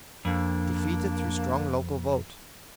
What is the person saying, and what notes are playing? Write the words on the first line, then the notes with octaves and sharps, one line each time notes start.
Defeated through strong local vote.
F2 A#3 D4